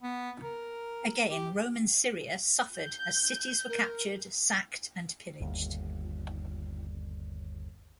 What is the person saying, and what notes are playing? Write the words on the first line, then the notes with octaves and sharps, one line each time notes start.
Again Roman Syria suffered as cities were captured, sacked and pillaged.
B3
A#4
G4
G6
A#4
G1 D#2